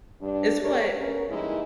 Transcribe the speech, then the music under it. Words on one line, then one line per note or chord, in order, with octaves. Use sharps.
it's what
G2 D4
G3 A3 G4 A#4 C#5 D5
B3 C#4 A#4
E3 G3 G#3 A#3 D#4 E4